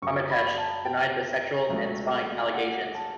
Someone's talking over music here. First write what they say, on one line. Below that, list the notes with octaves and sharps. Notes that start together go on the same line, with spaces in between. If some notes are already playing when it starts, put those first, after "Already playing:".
Rometsch denied the sexual and spying allegations.
F#2 C#3 F#3 C#6
B5
A5
G5
C#2 C#3 F#3 A3
F#5
A5